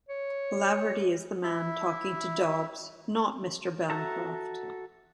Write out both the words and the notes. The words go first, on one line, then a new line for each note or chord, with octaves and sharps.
Laverty is the man talking to Dobbs, not Mr. Bancroft.
C#5
E4 E5
F#4 A4 E5 A5 A#5